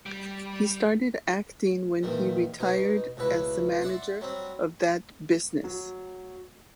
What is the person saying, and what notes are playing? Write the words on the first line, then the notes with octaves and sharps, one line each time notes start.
He started acting when he retired as the manager of that business.
G3
E2 A#2 D#3 G3
B2 D#4
C#2 B2 E4 B4
D5 E5 F#5 C6
F#3 G3 C4
F#3